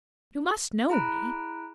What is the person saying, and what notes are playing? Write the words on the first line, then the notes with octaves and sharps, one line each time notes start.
You must know me!
E4 G#4 A#5 B5 F#6 D7